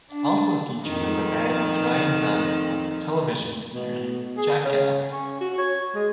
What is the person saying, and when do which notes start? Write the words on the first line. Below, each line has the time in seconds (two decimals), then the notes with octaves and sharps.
Also featured in the band was Ryan Dunn of the television series Jackass.
0.11 D4
0.83 F2 D#3
3.73 B2
4.37 G#4
4.65 C#3
5.12 C#4
5.41 F#4
5.58 C#5
5.95 G#3